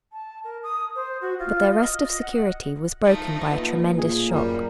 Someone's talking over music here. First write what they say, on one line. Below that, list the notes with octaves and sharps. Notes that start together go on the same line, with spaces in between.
But their rest of security was broken by a tremendous shock.
A5
A#4
D#6
C5
F#4
F4
D#5
F#5
F3 A3 D#4
A#2 B3
A2 G#4
F#2 G3 A#4